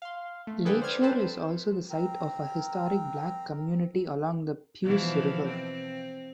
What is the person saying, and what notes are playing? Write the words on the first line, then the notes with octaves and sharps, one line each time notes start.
Lakeshore is also the site of a historic black community along the Puce River.
F5 C6
A3
D3 G#4 A4 B4 G5
C5 D5 F6 G#6
C4 A4 B4 C5 A5
C4 A#4
B2 E3 F3
C4